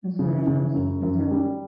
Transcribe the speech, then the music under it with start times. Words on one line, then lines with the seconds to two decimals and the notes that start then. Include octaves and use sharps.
Mhm. Mhm.
0.19 C#3
0.47 C#3
0.74 F#2
1.03 F#2
1.31 G3